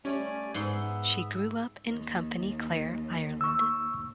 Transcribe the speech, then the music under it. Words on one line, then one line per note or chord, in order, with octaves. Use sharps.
She grew up in Company Clare, Ireland.
G3 A3 C#4 D5 G#5
G#2 B3 E5 F#5 C6
D#2
C#6 E6